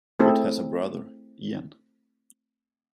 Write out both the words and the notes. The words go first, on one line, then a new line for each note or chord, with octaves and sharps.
Witt has a brother, Ian.
A3 C4 E4 G#4 A4